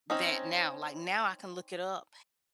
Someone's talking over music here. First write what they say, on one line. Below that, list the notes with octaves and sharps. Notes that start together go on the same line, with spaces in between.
that now. Like, now I can look it up
C4 C#4 D#4